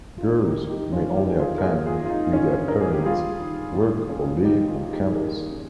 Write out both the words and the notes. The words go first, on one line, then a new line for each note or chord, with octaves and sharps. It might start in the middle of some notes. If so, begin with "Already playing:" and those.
Girls may only attend if their parents work or live on campus.
F4
A#3 D#4
G4 A#4
D#3
D#4 G4
G2 C#4 F4
F4
D#4 G4
C#4
F4 G#4
A#4
A#3 F4 G#4
F4 G#4
D#3
F4
D#4
G2 C#4 F4
C#4 A#4
G#4
G4
G3 F4 G#4
D#3
D#2
C#4
G3 D#4 G4
F4 G#4
D#3
D#4 G4
G#4
D#2 G4 A#4
C#4